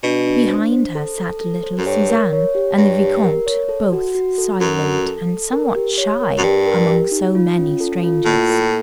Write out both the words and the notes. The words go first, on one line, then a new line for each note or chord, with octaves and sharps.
Behind her sat little Suzanne and the Vicomte, both silent and somewhat shy among so many strangers.
B2 D4
D4
C5
C5
A4
A4
A4
C5
F#2
G2 C#5
A#4
C#5
G4
G2 C#5
G4
A#4
C#5
A4
F#4
F#4
A4
F#2 F#4
A4
A4
A4
A#4
G4
C#5
A#4
F#2
G2 G4
A#4
G4
D#4
F4
C#4
A4
F4
A2 A#3
A4